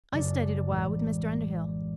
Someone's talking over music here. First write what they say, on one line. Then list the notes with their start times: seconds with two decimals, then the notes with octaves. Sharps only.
I studied awhile with Mr. Underhill.
0.13 F#2 C#3 F#3 D5
0.69 A#1 A2 E3 G#3